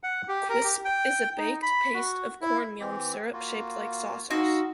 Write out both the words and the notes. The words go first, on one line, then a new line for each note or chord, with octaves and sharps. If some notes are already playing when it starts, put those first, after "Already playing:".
Quisp is a baked paste of corn meal and syrup shaped like saucers.
F#5
G4
A#4
G4
G5
D#4
B5
F#4
E4
E3 C4 G4
A#3 F4 F#4
D#4 F#4 D#5 F5 C6 E6